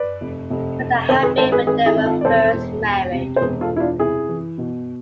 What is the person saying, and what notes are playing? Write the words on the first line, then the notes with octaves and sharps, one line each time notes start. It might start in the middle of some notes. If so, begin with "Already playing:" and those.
But that had been when they were first married.
Already playing: B4 D5
F1
F1
F1
G#1 A4 C5
G#4 B4
G#1 A4 C5
G#4 B4
G#1 G#4 B4
E4 G#4
G#1
F4 A4
D5
E1 A4 C5
E1
E1
C3
C5
E1 G#4 B4
F4 A4
E1
E4
D4 F4
C3 E4 G#4
E3
B2